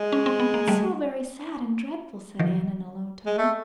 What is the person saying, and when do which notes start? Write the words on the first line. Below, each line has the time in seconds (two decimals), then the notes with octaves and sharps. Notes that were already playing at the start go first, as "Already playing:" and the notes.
"It's so very sad and dreadful," said Anne in a low tone.
Already playing: G#3
0.12 C#4
0.26 C4
0.40 B3
0.54 A#3
0.68 G3 A3
2.39 D#3 F3
3.26 G#3
3.38 A3